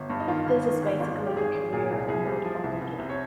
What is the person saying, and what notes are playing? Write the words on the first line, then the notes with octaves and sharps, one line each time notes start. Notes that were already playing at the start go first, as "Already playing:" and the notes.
This is basically the career mode of the game.
Already playing: G1
G2
D#4
D#3 F4
G1
D#3
G1
G#1 F4
G#3
G4
G#1 G#4
G#1
A#2 G#4
C2
C2 G#4
G3
F3
C2
C2
C3
C#5